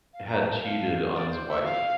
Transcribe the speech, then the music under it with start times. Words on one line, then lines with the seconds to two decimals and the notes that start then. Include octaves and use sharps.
had cheated on his wife.
0.13 F5
0.27 A#5
0.39 A5
0.51 A5
0.64 F5
1.14 D5
1.31 C5
1.48 E5
1.65 F5